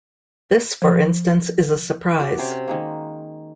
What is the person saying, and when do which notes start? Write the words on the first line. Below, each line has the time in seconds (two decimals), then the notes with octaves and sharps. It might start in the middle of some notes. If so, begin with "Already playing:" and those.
This, for instance, is a surprise.
0.82 F3 C5
2.20 F#4 D5
2.38 C3 C#4 C5 D6
2.68 D#3 G#3 A#3